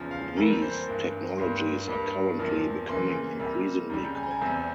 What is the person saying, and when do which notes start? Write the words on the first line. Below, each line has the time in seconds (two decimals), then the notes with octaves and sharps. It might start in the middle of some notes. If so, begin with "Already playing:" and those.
These technologies are currently becoming increasingly common.
Already playing: E2 C#3 F3
0.11 F5
0.36 F2 E3 G3 A#3 A#4
0.62 C5
0.87 G2 E3 A#3
1.37 G2 G3 A#3 C6
1.88 G2 G3 A#3
2.39 E2 C3 F3 A#3
2.89 F2 C#3 E3 A#3 C6
3.39 C3 G3 A#3
3.90 F2 C#3 G3 A#5
4.16 G#5
4.23 A#5
4.31 G#5
4.41 E2 C3 G3 C4 G#5